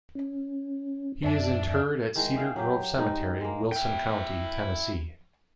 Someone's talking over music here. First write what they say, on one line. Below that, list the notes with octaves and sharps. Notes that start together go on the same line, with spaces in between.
He is interred at Cedar Grove Cemetery, Wilson County, Tennessee.
C#4
F#2 D4 E5
D#3 E3 G#3
G#4 E5 F5 G5
F#3 G4
G#2 G3 D#4
G#3 A#3
E4 G5